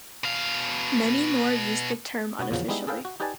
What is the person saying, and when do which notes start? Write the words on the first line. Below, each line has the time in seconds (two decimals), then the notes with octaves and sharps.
Many more use the term unofficially.
0.24 B2 F5
2.39 B2 B3 F#4
2.51 E2 A#2 C#3 F3 F#3
2.68 G3 G#3 B3 D#4 E4
2.87 G#4 A4 B4 F5 G5
3.05 F#4
3.20 D#4 G4 B4 D5 G#5 A5